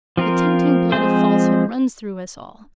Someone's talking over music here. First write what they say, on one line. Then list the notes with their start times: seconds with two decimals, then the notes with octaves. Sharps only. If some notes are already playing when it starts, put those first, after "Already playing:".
The tainting blood of falsehood runs through us all.
0.17 F3 C4 F4 A#4
0.92 F3 G#3 C4 G#4 C5